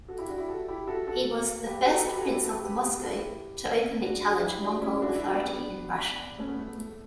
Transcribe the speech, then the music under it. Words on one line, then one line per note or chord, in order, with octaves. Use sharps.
He was the first prince of Moscow to openly challenge Mongol authority in Russia.
F#4 A4
E4 G4
D4 F#4
E4 G4
F#4 A4
E4 G4
F#4 A4
F#4 A4
G4 B4
F#4 A4
G4 B4
F#4 A4
E4 G4
F#4 A4
G4 B4
G4 B4
G4 B4
F#4 A4
E4 G4
D4 F#4
D4 F#4
E4 G4
D4 F#4
C#4 E4
D4 F#4
E4
D4 F#4
B3 D4
B3 D4
A3 C#4
B3
A3
B3
A3